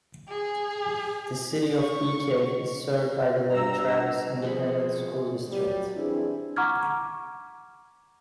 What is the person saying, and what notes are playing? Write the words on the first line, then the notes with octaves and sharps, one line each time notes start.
The city of Bee Cave is served by the Lake Travis Independent School District.
G#4
C#6
G2 A#5 E6
B2 F3 G3 C4 G#4 B5
F#3 G3
E3 C4 D4 E4 G#4
F#5 A#5 C#6 D6 F6 G#6